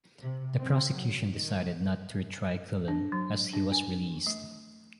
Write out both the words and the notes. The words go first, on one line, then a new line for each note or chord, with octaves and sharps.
The prosecution decided not to retry Killen and he was released.
C3
C4
F#3
D#3
D4
F#3
D4
G#5
A3